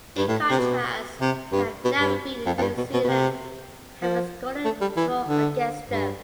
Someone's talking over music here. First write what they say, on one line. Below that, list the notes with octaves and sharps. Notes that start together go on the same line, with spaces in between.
In contrast, they have never beaten New Zealand, having scored a draw against them.
G2
A2
C3
B2
C3
G2
B2
G2
F2
F2
G2
B2
B2
B2
C3
F3
A3
G3
E3
D3
G2